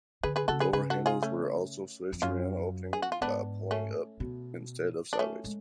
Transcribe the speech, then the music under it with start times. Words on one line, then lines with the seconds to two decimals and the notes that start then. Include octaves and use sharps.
The door handles were also switched around, opening by pulling up instead of sideways.
0.23 D3 G#4 B4
0.36 G#4 B4
0.48 C#3 F#4 A4
0.60 G#4 B4
0.73 C#3 G#4 B4
0.90 F#4 A4
1.06 F4 G#4
1.23 A3 C#4
2.12 F2
2.22 F#2 C#4 F4
2.93 G#4
3.02 F#4
3.12 F4
3.21 G#2 B3 D4
3.71 A3 C#4
4.20 B2
5.13 D4
5.19 A3 C#4
5.44 G#3